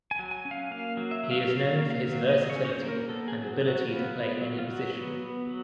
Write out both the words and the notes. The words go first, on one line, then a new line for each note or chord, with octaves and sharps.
He is known for his versatility and ability to play any position.
G#5
F#3
G#5
C#4
F5
A#3 F5
F#3
E5
F#3
F5
C#4 F5
A#3
F5
F#3
F#3 D#5
C#5
C#4
C#5
C5
A#3
A#4
B3 A4
G#4
F#3
F#3
F#4
B3 F4
B3
F#3
F4
F#3 F#4
B3
B3
F#3